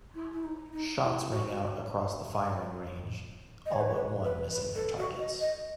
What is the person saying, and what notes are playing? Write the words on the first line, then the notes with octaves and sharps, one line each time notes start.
Shots rang out across the firing range, all but one missing their targets.
E4
E4
D#4
D#4
E4
F#4
D#5
C#5
B4
C#5
B4
B4
B4
A4
F#4
D#5
D#5